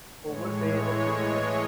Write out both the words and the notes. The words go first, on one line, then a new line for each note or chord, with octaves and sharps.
Overbay is a Christian.
A2 E3 G#3 C#5
D#5